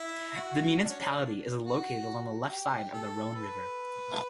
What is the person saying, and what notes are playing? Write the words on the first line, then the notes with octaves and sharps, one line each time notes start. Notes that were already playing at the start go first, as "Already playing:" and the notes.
The municipality is located along the left side of the Rhone river.
Already playing: E4
F#4
D4
C#4
D4
F#4
G4
A4
B4